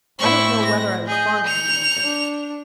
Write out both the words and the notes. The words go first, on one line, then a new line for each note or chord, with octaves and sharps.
I don't know whether I was fond of you even.
A2 C4 E4 C#6
A#6
G#4 D#5 G6
C#7 F7
D4